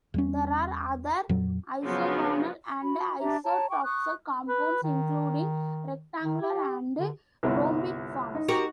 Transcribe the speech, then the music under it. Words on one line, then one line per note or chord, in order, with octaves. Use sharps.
There are other isogonal and isotoxal compounds including rectangular and rhombic forms.
E2 G3 C#4
F2 A#2 F#3
C#3 F3 F#3 B3
F#4 B5
D4 G4 E5 A#5
C#5 A5 A#5
G5 C#6 D6
C#6 D#6 F#6
B4
D#3
D#3
G4
D3
G1 C2
D#4
F#4 G4 A#4